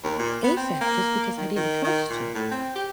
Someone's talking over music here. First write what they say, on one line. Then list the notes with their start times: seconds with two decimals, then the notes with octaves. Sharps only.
ASAP just because I didn't trust you.
0.03 D#2
0.19 A#2
0.44 B3
0.57 C4
0.81 A#3
1.37 D#3
1.56 D#3
1.84 D#3
2.10 A#2
2.34 A2
2.51 C4
2.75 G4